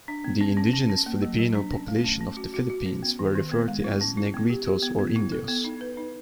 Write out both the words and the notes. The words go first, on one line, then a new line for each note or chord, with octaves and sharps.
The indigenous Filipino population of the Philippines were referred to as Negritos or Indios.
D4
B3
C#4
C#4
C#4
C#4
A#3
F#3
F#3
D4
C#4
A3
C#4
C#4
F#4
F#4
F#4
C#4
B3
D#3
D#3
B3
G#3
E4
C#4
E4
B3
G4
G4
B3
B3
E4
A4
B3
D#4
B4
D#4